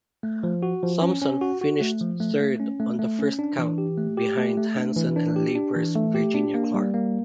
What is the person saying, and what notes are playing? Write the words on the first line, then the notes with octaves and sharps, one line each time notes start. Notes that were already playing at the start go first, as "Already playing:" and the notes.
Thompson finished third on the first count, behind Hanson and Labor's Virginia Clarke.
A3
F3
F#4
F3
C#4
C#4
F#4
F#4
A3
F3
A3
A3
C#4
A3
A3
C#4
D4
E3
G4
A3
G4
A3
A3
D4
E3
D4
G4
D4
E3
A3
G4
D4
A#3
G3
A#3